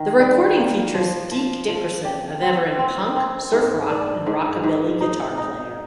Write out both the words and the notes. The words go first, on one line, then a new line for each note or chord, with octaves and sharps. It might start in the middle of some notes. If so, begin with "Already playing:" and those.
The recording features Deke Dickerson, a veteran punk, surf rock, and rockabilly guitar player.
Already playing: D#3
G3
A#3
F3
F3
F3
G4
C4
C4
C4
G#2
D4
G#2
G#2
D#4
D#4